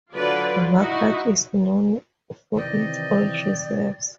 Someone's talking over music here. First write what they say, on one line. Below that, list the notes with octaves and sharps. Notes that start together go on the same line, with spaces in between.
Vakaga is known for its oil reserves.
D3 F#3 F4 B4 D5
D#4 E4 F#4
C3 D#3 E3 D5 D#5 G5